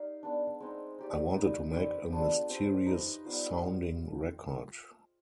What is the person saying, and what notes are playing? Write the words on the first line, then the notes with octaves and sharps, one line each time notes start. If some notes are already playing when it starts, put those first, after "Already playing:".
I wanted to make a mysterious sounding record.
Already playing: D#4 G4 D5 F5
G#3 B3 D4
G#3 C4 D#4
D#4 G4 D5
D#4 B4 D5
C4 G4 B4 D5
B3 D4 F4 G#4
C4 G4 C5
D#4 B4 D#5
G3 B3 F4 C5